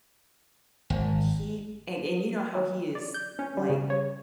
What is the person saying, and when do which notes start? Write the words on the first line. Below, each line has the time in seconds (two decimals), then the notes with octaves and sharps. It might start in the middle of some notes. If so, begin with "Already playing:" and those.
he and and you know how he is, like,
0.90 G#1
2.55 F#3
2.95 D5
3.14 G6
3.39 C#4
3.57 G3
3.70 C#3
3.90 C#5